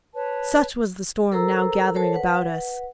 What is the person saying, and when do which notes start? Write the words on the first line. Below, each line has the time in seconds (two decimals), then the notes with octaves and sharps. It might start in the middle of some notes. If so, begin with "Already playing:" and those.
Such was the storm now gathering about us.
0.14 B4 C#5 A5
1.32 A4 A#4 C5 A#5 E6
1.95 A4 A#4 C5 C#5 A5
2.14 B4 F#5